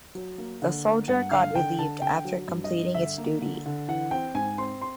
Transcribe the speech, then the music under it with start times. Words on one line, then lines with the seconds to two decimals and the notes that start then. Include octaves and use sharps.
The soldier got relieved after completing its duty.
0.15 F#3
0.38 A#3
0.62 D3
0.85 A#3
1.08 G2 F#5
1.31 D3 F5
1.55 D3 G5
1.78 D3 A5
2.01 D3 G5
2.25 F#3
2.48 G2
2.64 D#5
2.72 G2
2.94 D3 E5
3.18 A#3
3.42 D3
3.66 D3
3.88 E3 F#5
4.11 C4 G5
4.35 G#2 G#5
4.58 C4 C6
4.82 C6